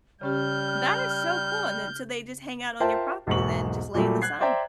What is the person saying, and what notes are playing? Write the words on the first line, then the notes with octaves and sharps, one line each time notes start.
That is so cool, and then so they just hang out on your property then, just lay in the sun.
C#3 G3 C#4 G4 F6 G6
F4 A#4 C5 E5 G5 A5
B1 E2 G#2 A#3 C#6 F#7
A#2 F#3 G3 A3
F#6 G#6 C7
C5 D5 E5 G5 A#5